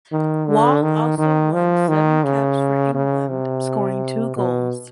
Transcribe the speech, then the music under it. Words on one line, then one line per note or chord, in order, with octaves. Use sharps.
Wall also won seven caps for England, scoring two goals.
D#3
D3
D#3
D#3
F3
D#3
C#3
C#3
C3
B2